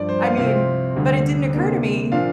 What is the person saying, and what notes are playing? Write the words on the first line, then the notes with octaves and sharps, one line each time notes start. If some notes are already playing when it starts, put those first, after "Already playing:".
I mean, but, it didn't occur to me,
Already playing: G2 F3 D4 D5
C5
F5
C2 C3 F3 C4 F5
D2 D3 G3
C3 A#3 D4
A#2 F3 A#3 D4 F5